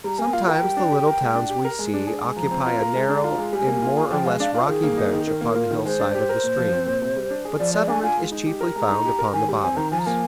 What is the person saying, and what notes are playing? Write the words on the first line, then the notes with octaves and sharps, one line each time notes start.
Sometimes the little towns we see occupy a narrow and more or less rocky bench upon the hill side of the stream, but settlement is chiefly found upon the bottoms.
G3 A#5
A#3 G#5
F4 F5
A#4 G5
G3
D4
G4
A#4
G#3
D4
G4
A#4
G#3
D4
G#4
G#3
F3 A#5
C4
F4
A#4
G#3
D4
F4
G#3
G3 G#5
A#3
F4
G#4
F3 G5
G#3 F5
D4 F5
F4 F5
D#3 G#4
A#3
D#4
D#3
D#3 A#4
A#3
F4
D#3
G#3 C5
D4
G4
A#4
A#2
F3
C4
A#2
C3
G3
D4
G#4
F3 D5
G#3 D5
D4 G#5
F4 G#5
G#3
D#4
G4
A#4
G#3 A#5
D#4
G4
A#4
D#3 G#5
G3
C4 G#5
D#3 A#5
F3 G#5
A#5
A#3 G#5